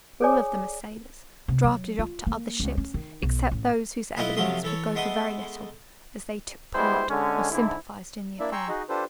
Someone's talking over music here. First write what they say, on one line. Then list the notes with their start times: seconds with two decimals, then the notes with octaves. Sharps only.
All of them are sailors, drafted off to other ships, except those whose evidence would go for very little, as they took part, or sympathised in the affair.
0.21 G#4 A4 C#5 D5 G#5 D6
1.48 C3
1.64 F#3
1.99 F4
2.27 A#3
2.60 C#2
2.77 C#4
2.94 D#3
3.23 B1
3.51 A1
4.17 B1 E4 F4 D#5 F#5 B5
4.36 C3 F3 F#3 A3 C6 D#6
4.63 E3 A4 C#5
4.95 G#3 A3 B3 C6 D#6
6.75 D2 G3 G#3 B3 E4 C5
7.10 D3 G#3 C#4
7.51 G#2 D3 E4
8.39 A#3 D4 E4 D5 E5
8.52 G5 G#5 A#5 C6 C#6 E6
8.68 D#4 F#4 G#4 D#5
8.89 D4 F4 G4 A4 B4 C5